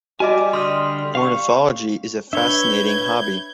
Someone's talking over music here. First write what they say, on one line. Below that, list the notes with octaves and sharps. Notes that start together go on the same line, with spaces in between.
Ornithology is a fascinating hobby.
G3 F#4 D#5 E5 G#5 D6
D3 C6 D#6 F6
F5 C#6
D4 B4 C#5 E5 G6 G#6